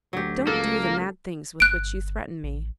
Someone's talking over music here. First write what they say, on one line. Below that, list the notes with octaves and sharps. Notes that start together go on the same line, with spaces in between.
Don't do the mad things with which you threaten me.
D2 F#3 G4
C#2 A#3 A4
G1 F#6 D7
A1